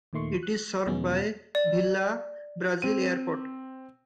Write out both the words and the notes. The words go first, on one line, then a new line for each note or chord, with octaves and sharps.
It is served by Vila Brazil Airport.
D#2 A#2 D#3 A3 C6 C#6
F#6
E2 B2 D#3 G#3 B3 C#4
D5
C4 D#7